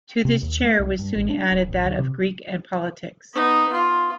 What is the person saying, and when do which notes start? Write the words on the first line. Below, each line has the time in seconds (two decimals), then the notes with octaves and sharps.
To this chair was soon added that of Greek and politics.
0.25 C3
0.42 D#2
0.64 A3
0.79 C2
0.99 G2
1.16 A1
1.30 D4
1.52 D1
1.69 A1
1.85 D2
1.99 C3
3.34 B3 D#4
3.73 F4